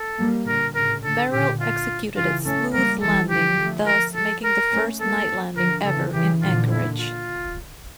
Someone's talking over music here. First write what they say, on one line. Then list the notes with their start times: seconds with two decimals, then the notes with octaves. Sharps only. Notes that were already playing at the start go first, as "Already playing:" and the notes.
Merrill executed a smooth landing, thus making the first night landing ever in Anchorage.
Already playing: A4
0.19 G3 A#3
0.46 A#2 D3 A#4
0.75 A2 C#3 A#4
1.04 A#2 D3 A4
1.32 A#2 D3 G4
1.61 F4
2.17 C#3 E3 F4
2.45 A3 C#4 A4
2.73 G3 A#3 A#4
3.02 E3 G3 A4
3.30 D3 F3 G4
3.58 F3 A3
3.87 A#4
4.16 A4
4.44 A#4
4.71 A3 C#4
5.00 G3 A#3 A4
5.56 D3 F3 A#4
5.85 C#3 E3 A4
6.13 C#3 E3 G4
6.41 A#2 D3 F4
6.69 E4
6.99 F4